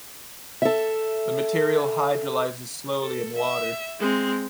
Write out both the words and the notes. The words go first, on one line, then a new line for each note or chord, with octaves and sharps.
The material hydrolyzes slowly in water.
A4 E5
A4
E5
G#3 C4